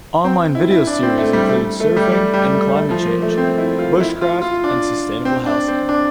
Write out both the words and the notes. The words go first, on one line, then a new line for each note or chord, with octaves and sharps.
Online Video series include Surfing and climate change, Bushcraft and sustainable housing.
C4
E4
E4
D4
C4
A3
G3
A3
A3
G3
G3
G3
A3
A3
F3
A#3
A3
C4
E4
F4
E4
F4
F4
D4
C4
D4
C4
D4